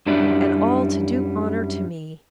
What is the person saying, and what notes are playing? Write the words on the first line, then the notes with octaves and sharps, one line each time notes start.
And all to do honour to me!'
F#2 G3 D4 E4 D5